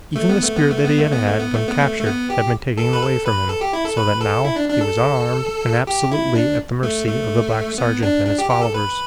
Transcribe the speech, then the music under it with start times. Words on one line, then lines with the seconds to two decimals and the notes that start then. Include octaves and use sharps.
Even the spear that he had had when captured had been taken away from him, so that now he was unarmed and absolutely at the mercy of the black sergeant and his followers.
0.16 A3
0.29 B3
0.43 A3
0.56 B3
0.71 A3
0.84 B3
0.98 A3
1.12 B3
1.27 A3
1.40 B3
1.54 A3
1.68 B3
1.81 A3
2.01 A3
2.06 B3
2.30 G4
2.77 A4
2.93 B4
3.02 A4
3.26 B4
3.49 A4
3.61 G4
3.73 E4
3.85 A4
3.97 B4
4.21 A4
4.45 E4
4.56 D4
4.69 D4
4.81 A4
5.87 G4
6.12 E4
6.35 D4
6.83 A3
7.08 A3
7.78 B3
8.03 D4
8.26 D4
8.38 G4
8.50 G4
8.61 A4
8.74 B4